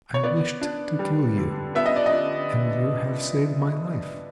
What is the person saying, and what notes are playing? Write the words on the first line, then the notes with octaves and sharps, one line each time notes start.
I wished to kill you, and you have saved my life.
C#5
B3 D5
D4
G3
D3
B3 E5
D#5
D5
D#5
D4